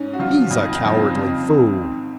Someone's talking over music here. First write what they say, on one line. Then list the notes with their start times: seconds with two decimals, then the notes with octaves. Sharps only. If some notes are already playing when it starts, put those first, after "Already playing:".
"He's a cowardly fool!"
Already playing: G#2 C#4
0.13 F#4
0.19 F3 F4
0.51 F2 D#4
0.62 F4
0.73 D#4
0.83 C#3 F3
0.94 C4
1.16 F2
1.47 D#3
1.78 G#2